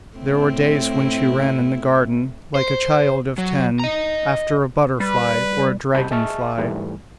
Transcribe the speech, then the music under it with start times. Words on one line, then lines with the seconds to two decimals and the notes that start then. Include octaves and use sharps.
There were days when she ran in the garden, like a child of ten, after a butterfly or a dragon-fly.
0.17 A2 C4 E4
2.55 C5
3.38 F#3
3.80 D#5 A#5
5.00 G3 B4
5.94 C3 G3 D#5 A5 B5 G6
6.11 G#4 D#5 E5 A5 C#6 F6
6.58 G#2 E3 G3 A3